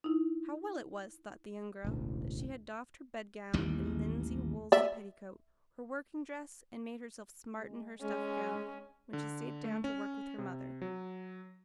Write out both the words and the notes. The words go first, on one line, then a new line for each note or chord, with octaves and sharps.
How well it was, thought the young girl, that she had doffed her bed-gown and linsey-woolsey petticoat, her working-dress, and made herself smart in her stuff gown, when she sate down to work with her mother.
D#4 E4
E1 A1 D2
A1 D#2 D#3 G3
D5 E5
G#3
G#3 C#4
D3
A3
C#4
C3
F#3